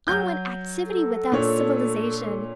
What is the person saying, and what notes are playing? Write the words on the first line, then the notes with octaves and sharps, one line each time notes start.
I want activity without civilization.
F#3 G6
A4
A#2 D4 C#5